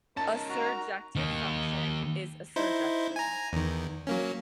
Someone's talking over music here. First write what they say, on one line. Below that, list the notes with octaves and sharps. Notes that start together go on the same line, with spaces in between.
A surjective function is a surjection.
C#4 D#4 A#4 A5
F#4 A#5
D#3 A#3
D#4 E4 C5
G#5 A#5
E2 D#3
F#3 A#3 C#4